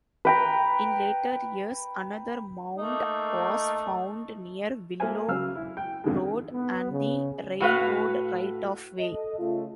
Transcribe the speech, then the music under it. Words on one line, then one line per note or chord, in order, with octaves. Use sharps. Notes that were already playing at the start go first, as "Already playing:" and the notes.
In later years another mound was found near Willow Road and the railroad right-of-way.
B4 G5 A#5
A3 A#3 D#4
A#3 A4 A#4 C5 E5 G#5
C#3 F#3 F5 E6 F6
E4
G5
F2 D3 D#3 G#3
B3
C#3
A2 F#4 B4 F5
A4 D#5
C#3 A3 F4